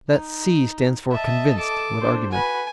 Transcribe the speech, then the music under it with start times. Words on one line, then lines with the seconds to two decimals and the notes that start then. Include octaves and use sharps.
That 'C' stands for 'convinced,' with argument.
0.10 D#4
1.11 D#5 E5 A5
1.56 A4 D6
1.99 D4 C5
2.32 F#4 B4 G#5